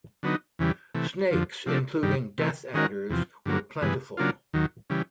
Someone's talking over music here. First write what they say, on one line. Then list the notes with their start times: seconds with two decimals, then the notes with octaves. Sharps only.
Snakes including death adders were plentiful.
0.23 D3 F#3 B3 D#4
0.59 E2 C#3 E3 G3
0.95 C3 E3 A3
1.31 F2 D3 F3
1.66 C3 F3 A3 D4
2.03 G2 D#3 G3
2.38 C3 E3 A3
2.74 D#3 G#3 C#4 F#4 A#4
3.10 E2 C3 F3
3.46 G2 D3 F#3 A#3
3.81 G2 E3 G#3 B3
4.17 C#3 F#3 A#3 D4 F4
4.53 D#2 D#3 F#3
4.90 C#3 E3 G3